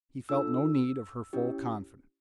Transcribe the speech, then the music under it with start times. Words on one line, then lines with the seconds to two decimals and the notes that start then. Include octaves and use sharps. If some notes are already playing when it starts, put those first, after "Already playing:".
He felt no need of her full confidence.
0.29 D4 F4 A4 E6
1.33 C#4 E4 G4